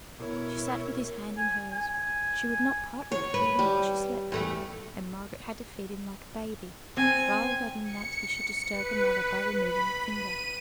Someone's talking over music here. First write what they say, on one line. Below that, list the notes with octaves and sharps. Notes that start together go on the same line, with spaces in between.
She sate with his hand in hers; she would not part with it even while she slept; and Margaret had to feed him like a baby, rather than that he should disturb her mother by removing a finger.
B2 E4 A#4 C#5
G#5
G#5
C#5
B4
G3
E2 A3 G4
C4 G#5
C#7
B4
B5
D#7